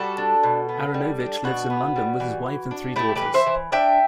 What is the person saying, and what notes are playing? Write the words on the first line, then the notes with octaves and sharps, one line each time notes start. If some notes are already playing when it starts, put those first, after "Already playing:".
Aaronovitch lives in London with his wife and three daughters.
Already playing: G3 F#4 A4
D4
B2
B3
G3
D4
B2 F#4
B3
G3
E3
E3
D4
A3 E4 G4
G4 B4
E3
C5 E5
E3
D4 E5 G5